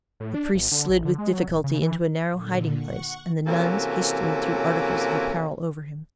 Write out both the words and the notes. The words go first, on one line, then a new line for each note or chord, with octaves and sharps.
The priest slid with difficulty into a narrow hiding-place, and the nuns hastily threw articles of apparel over him.
A2
D4
G#1
D3
A1
D3
G#3
F#3
D1
C#3
E3
A#2 D3
F#5 C#6
C3 E3 A#3 C#4 F#4 A4